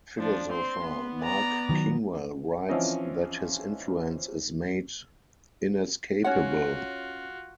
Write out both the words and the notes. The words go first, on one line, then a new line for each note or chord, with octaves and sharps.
Philosopher Mark Kingwell writes that his influence is made inescapable.
F3 D4
C4 C6
B3
D5 A#5
D#3 F#3
E3 F3 C4 C#4 D#5
C#4 F4 F#4 C#5 F#5